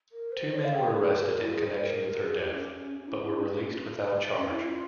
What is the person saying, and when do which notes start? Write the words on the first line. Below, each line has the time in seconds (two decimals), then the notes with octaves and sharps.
Two men were arrested in connection with her death, but were released without charge.
0.12 A#4
0.32 C5
0.54 C#5
0.65 F5
0.76 G5
0.96 A#4
1.01 G#4
1.17 C5
1.21 A#4
1.39 E4
1.52 G#4
1.67 C5
1.81 A#4
2.24 G#4
2.38 G4
2.52 C#4
3.00 C#4
3.08 E4
3.23 E4
3.37 C#4
4.36 C#4
4.50 E4
4.64 F4